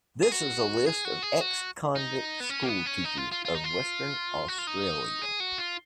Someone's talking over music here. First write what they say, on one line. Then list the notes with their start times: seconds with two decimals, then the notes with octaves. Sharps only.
This is a list of ex-convict school teachers of Western Australia.
0.23 G#4
0.32 F#4
0.86 G#4
1.05 F#4
1.23 G#4
1.41 F#4
1.96 D#4
2.40 B3
2.50 C#4
2.62 A#3
2.68 B3
2.86 C#4
3.04 D#4
3.18 F4
3.32 F4
3.45 F4
3.55 D#4
3.64 F4
4.48 F#4
4.58 F4
4.67 D#4
5.22 G#4
5.40 F#4
5.58 F4